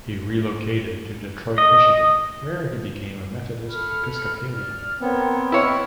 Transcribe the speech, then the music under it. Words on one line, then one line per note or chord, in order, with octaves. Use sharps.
He relocated to Detroit, Michigan where he became a Methodist Episcopalian.
D#5
A4 B5 F6
D5 F6
B3 C4 A#4 C#5
E4 C#5 D#5 F6 F#6